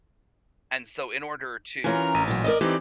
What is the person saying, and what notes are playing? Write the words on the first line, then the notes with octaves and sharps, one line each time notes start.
and so, in order to
E3 C#4 F4 A#4 C#5 A#5
A1 D#7
A#2 F#3
A#4 D5 D#5
E3 C4 D#4 G4 D5